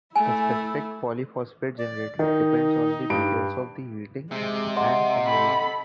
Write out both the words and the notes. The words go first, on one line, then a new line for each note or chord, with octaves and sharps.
The specific polyphosphate generated depends on the details of the heating and annealling.
A3 E4 G#5
D5
D#3 D#4
G2 D7
C3 G#3
D#5 F#5 C6
A4 B5